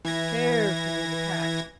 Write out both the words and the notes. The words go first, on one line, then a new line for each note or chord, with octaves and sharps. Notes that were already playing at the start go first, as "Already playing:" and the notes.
Care killed a cat.
E3 G#6 A#6